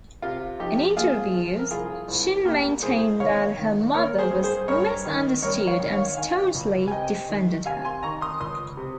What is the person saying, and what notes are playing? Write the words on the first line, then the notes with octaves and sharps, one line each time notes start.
In interviews, Chin maintained that her mother was misunderstood and staunchly defended her.
C3 F4
F3 D#4 G4
A#3 F4 G#4
F3
A#4
C2 F4 G#4
C2
A#3 G4 A#4
C2 G#4 C5
D#3 C#5 F5
D#3
A#3 A#4 C#5
G#4 C5
G2
G#4 C5
G2 A#4 C#5
D#3
G2 A#4 C#5
C#5 F5
D#3
C#5 F5
D#3 F5 G#5
C#2
G#5
C3 D#5 G5
D#3
C3 F5 G#5
G#5 C6
D#3 A#5 C#6
C6 D#6
C#2 C6 D#6
C3